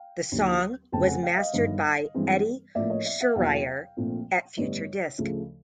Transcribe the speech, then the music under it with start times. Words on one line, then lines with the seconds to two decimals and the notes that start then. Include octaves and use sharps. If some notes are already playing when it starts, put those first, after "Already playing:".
The song was mastered by Eddy Schreyer at Future Disc.
Already playing: F5 G5
0.32 D#2 D3 F#3
0.92 F1 F2 C#3 G5 A5
1.07 F#5 G#5
1.23 F5 G5
1.38 D#5 F5
1.53 G1 G2 D#3
2.14 G2 E3 G#3 C4
2.75 A1 A2 F3 A#3 D5 E5
2.90 C#5 D#5
3.05 D5 E5
3.20 E5 F#5
3.35 E2 B2 F#3 A#3 F5 G5
3.97 A#1 A#2 F3 A3 C4
4.57 A1 G2 D3 G3 B3 C#5 D#5
5.18 D2 C#3 F3 A3